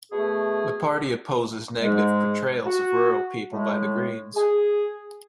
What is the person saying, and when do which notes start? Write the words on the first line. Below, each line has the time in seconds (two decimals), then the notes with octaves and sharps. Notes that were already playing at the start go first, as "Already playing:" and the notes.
The party opposes negative portrayals of rural people by the Greens.
0.12 B2 A3 G#4
1.81 G#2 G#3
2.66 F#4
3.51 A2 G#3
4.35 G#4